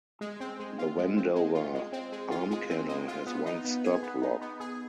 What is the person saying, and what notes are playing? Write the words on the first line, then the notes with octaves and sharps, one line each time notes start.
The Wendover Arm Canal has one stop lock.
G#3
C4
G#3
F4
G#3
C4
G#3
F4
G#3
C4
G#3
F4
G#3
C4
G#3
F4
B3
D#4
B3
G#4
B3
D#4
B3
G#4